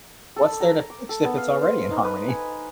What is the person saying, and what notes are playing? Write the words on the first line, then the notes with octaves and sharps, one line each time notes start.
What's there to fix, if it's already in harmony?
A4
A#5
D6
A4
B3
F5
C5
D#4
B4
G#5